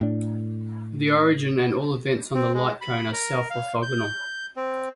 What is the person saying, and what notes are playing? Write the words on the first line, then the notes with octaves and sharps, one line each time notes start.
The origin and all events on the light cone are self-orthogonal.
A2 D4
C4
G#3
B5
A#4
F5
G6
C4